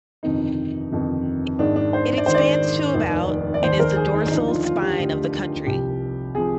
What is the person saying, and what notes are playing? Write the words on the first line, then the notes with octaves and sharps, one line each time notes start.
It expands to about and is the dorsal spine of the country.
G1 F2 C3 D#3 D#4
G1 F2 C3 D#3
G#1 G#2 D#3 D4
D4
C5
D5
G#1 G#2 D#3 C5
D5
F1 D#2 D#3
D5
F1 D#2 D#3 C5
A#4
G#4
D#4
D2 D3 F3 D#4
F4
F4
G4
D2 D3 F3
C2 C3 F3 G4
C3 F3 G#4